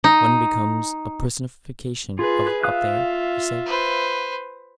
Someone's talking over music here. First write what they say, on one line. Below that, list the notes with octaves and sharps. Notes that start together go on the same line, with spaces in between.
"One becomes a personification up there," he said.
D#4
F4 G#4 B4
F4 E5 F5 D#6 F#6
B4 C5